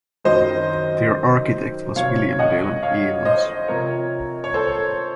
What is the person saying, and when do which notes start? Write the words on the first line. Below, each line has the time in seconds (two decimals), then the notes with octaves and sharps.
Their architect was William Delme-Evans.
0.25 F#2 D#3 F#3 C4 C5 D#5
1.96 C3 F#3 C4 C#5 F5
2.39 D#5 F#5
2.83 C#5 F5
3.25 C5 D#5
3.68 C3 F3 C4 A#4 C#5
4.44 C#5
4.54 A4 C5